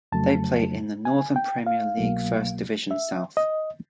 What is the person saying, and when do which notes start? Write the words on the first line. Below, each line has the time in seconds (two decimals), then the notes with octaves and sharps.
They play in the Northern Premier League First Division South.
0.12 F2 C#3 F#3 A3 A5
1.05 G#5
1.36 G5
1.67 F5
1.97 C2 B2 F#3 A#3
2.91 E5
3.37 D#5